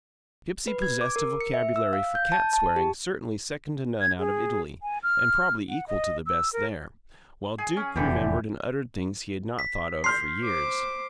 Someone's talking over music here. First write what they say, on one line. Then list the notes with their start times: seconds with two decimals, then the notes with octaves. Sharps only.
Gipsy possessed a vocabulary for cat-swearing certainly second to none out of Italy, and probably equal to the best there, while Duke remembered and uttered things he had not thought of for years.
0.67 B4
0.82 G#6
1.01 D6
1.16 A#4
1.41 C#7
1.54 E5
1.76 E6
1.93 F5
2.15 G6
2.32 A5
2.53 A5
2.76 G4
4.01 G#6
4.18 G#4
4.82 G#5
5.03 F6
5.69 F#5
5.88 D#5
6.26 E6
6.53 A#4
7.58 G#4
7.77 C#4
7.96 F1 E2 D3 E3 G4
9.59 B6
10.04 C6 F6 G6 C7
10.42 C5 D6